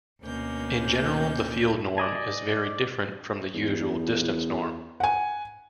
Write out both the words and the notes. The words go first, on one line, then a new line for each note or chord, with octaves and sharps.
In general, the field norm is very different from the usual distance norm.
D2 B2 A#3 C#4 G6
D5 D#5 G#5
E2
F#5 G#5